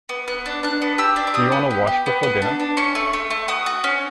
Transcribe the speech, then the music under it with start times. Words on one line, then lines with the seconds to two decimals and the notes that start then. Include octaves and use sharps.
Do you want to wash before dinner?
0.09 B3
0.28 B3 F#6
0.46 D4
0.63 D4 F#6
0.82 B3
0.98 G4 E6
1.16 D4
1.27 D6
1.34 G4 D#6
1.52 B3
1.71 G4
1.87 G4
2.06 B3
2.23 B3
2.42 D4
2.60 D4
2.77 C#4 C#6
2.95 A3
3.13 A3
3.31 A3
3.48 F#4 D#6
3.66 F#4
3.84 C#4